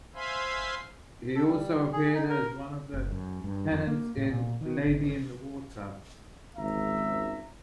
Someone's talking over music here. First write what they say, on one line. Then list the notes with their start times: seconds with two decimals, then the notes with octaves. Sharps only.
He also appeared as one of the tenants in "Lady in the Water".
0.14 C5 E5 F5 G#5 B5 C6
1.35 A4
1.47 G3
1.92 G#4
2.14 D#4
2.30 A#4
2.94 F#1
3.12 F#2
3.44 G2
3.72 F2
3.87 A#3
4.17 A2
4.30 A#2
4.61 D#3
4.87 G#1
6.57 G#1 C#2 E5 A#5